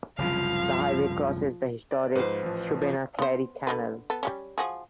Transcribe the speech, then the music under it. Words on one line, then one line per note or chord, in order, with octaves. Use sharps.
The highway crosses the Historic Shubenacadie Canal.
F#1 C2 C#3 F3 F5
D5
G#2 F3 B4 C5 F5
A1 F3
G1 F3
B3 C5
D3 F#3 B4
B3 A4
G3 G#3 C#4
F3 F#4 G#4